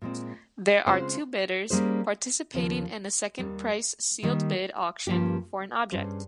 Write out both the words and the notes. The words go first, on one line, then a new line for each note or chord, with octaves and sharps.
There are two bidders participating in a second-price sealed-bid auction for an object.
A#2 G#3 C4
C#3 G#3 C4 F4 C5
G3 A#3 C#4 G#4 C5
D#2 C#3 F3
D#2 D#3 G3
D#3 G3 A#3
G2 F3 A#3 C#4 G4
G2 G3 C#4 G#4 C5